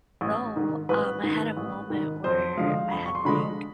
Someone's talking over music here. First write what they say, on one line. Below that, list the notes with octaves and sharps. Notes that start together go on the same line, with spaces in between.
so, um, I had a moment where I had, like
A1
G#2 D#3
A1 B4
G#2 D#3
A1
G#2 D#3
F2 C5
D3 F3 G#3 F5
F2 B5
C#6
C6
D3 F3 G#3 B5